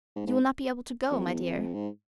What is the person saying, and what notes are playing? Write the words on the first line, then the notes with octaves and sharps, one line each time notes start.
"You will not be able to go, my dear."
G#2
G#2
F2
E2
F2
G#2